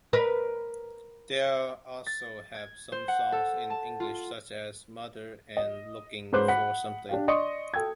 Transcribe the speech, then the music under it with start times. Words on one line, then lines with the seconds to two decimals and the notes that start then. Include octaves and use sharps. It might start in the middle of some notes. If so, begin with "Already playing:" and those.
They also have some songs in English such as "Mother" and "Looking For Something".
0.13 A#4 B4
2.07 A6
2.55 G#6
2.92 C5
3.08 F#5
3.32 A4
3.70 A5
4.00 F4
5.57 D#5
6.32 G#2 C#4 B4 C5 D6 F#6
6.48 F#5 B5 B6
7.09 D4 G4 F5
7.28 D5 D#5 C6 C#6 D#6 C#7
7.74 A4 G5 E6 G#6